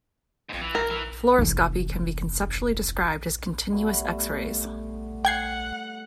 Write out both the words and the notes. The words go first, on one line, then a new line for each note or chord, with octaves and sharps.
Fluoroscopy can be conceptually described as continuous x-rays.
F2 G#2
E3
A#4
E3
F1 E3
G3 A3 B3
F#5 G5 G#6 C7